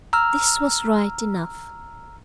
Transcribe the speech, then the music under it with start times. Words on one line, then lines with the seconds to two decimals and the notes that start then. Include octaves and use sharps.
This was right enough.
0.13 A#5 E6 F6